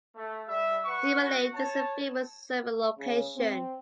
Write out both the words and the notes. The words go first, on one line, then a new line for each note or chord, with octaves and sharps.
Steamer Lane is a famous surfing location.
A3
G3 E5
B4 F#5 C#6
F#4
C#5 A5
C#3
C4